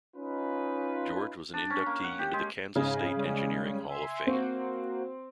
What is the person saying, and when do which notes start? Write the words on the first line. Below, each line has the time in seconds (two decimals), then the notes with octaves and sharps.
George was an inductee into the Kansas State Engineering Hall of Fame.
0.16 C#4 D#4 F4 B4
1.54 D4
1.70 C#4
1.86 A#3
2.04 F#5
2.19 G4
2.33 G#3
2.76 G#2 C#3 D#5 G#5
3.16 G3 G#3 C#4
3.88 E5 G#5 C6
4.27 A#3 C4 F#4 C5